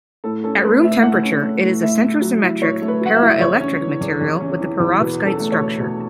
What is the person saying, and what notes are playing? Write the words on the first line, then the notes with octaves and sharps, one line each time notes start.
At room temperature, it is a centrosymmetric paraelectric material with a perovskite structure.
A2 A4
C#4 A4
A3 B4
A2 E5
A2 F#5
C#4
A3
A2
A2 E5
A3
F#3
E4
A2 C#5
A3
B4
F#3 F#5
E5
E4
E5
E2 C#5
C#4
E3
E2
E2
C#4
E3
E2
B2 B4
C#4
A4
A3
C#5
B2
B2